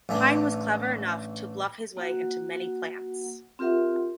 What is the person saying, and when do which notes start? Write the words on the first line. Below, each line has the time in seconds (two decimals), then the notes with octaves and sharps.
Hine was clever enough to bluff his way into many plants.
0.09 A1 E3 D4
1.97 A#3 F#4 F#5
3.59 C4 F4 G4 A#4 E5 F#5